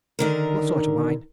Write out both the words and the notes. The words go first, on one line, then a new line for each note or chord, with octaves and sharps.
"What sort of wine?"
D3 D#3 A#4